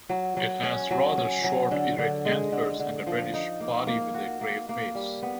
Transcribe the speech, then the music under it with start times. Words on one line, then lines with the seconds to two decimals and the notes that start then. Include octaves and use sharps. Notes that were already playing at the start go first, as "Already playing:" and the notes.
It has rather short, erect antlers and a reddish body with a grey face.
0.09 F#3
0.37 F#3
0.63 C#4
0.91 F#3
1.18 C#4
1.44 F#3
1.71 D3
1.98 D3
2.25 G#3
2.52 D3
2.80 D3
3.07 F3
3.34 D#4
3.60 A#3
3.87 A#3
4.14 F#4
4.41 A#3
4.69 A#3
4.95 G3
5.22 B3